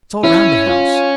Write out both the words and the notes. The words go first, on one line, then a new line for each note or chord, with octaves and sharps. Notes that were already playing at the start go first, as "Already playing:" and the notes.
It's all round the house.
C#4 E4
F4